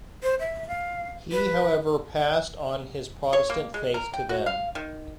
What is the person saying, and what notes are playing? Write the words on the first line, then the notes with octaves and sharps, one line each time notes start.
He however passed on his Protestant faith to them.
C5
E5
F5
B4
C#5
A#3
G#3
A#4
G5
F#4
F5
D#3